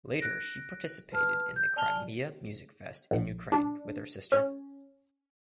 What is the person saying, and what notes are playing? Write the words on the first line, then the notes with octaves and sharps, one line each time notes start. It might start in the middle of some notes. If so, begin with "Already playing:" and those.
Later she participated in the Crimea Music Fest in Ukraine with her sister.
F#6 A#6 D7
B4 A5 F6
G6
D5 G#5 A5 F6 F7 G7
A#1
D4
C#4